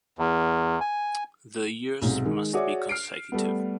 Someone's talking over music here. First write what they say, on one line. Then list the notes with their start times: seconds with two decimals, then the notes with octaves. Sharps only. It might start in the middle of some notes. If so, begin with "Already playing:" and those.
The years must be consecutive.
0.19 E2
0.81 G#5
2.02 B1 G#2 C3
2.25 D#3 G#3
2.53 F#4 G#4 C#5 D5 E5 D6
2.89 F6 C7 D7
3.32 G3 A3 B3